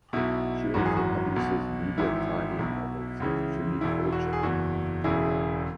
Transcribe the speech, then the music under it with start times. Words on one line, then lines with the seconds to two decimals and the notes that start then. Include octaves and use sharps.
She also publishes media tie-in novels as Julie Fortune.
0.13 B1 B2 E4
0.74 G#1 F#2 E3 F#4
0.85 G#4
0.97 F#4
1.36 B1 B2
1.98 G#1 G#2 E3 E4
2.59 B1 B2
3.20 C#2 C#3 E3
3.81 E1 E2 E3 E4
4.12 F#4
4.33 G#4
4.43 F#1 E2 E3 F#4
5.04 E1 E2 C#3 E3 E4 G#4